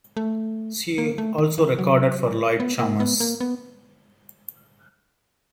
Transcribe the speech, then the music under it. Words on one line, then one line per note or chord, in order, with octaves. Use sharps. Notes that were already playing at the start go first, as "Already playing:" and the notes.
She also recorded for Lloyd Charmers.
A3
A#3
A3
D#3
E3
F#3
B3
A#3
B3
A#3
B3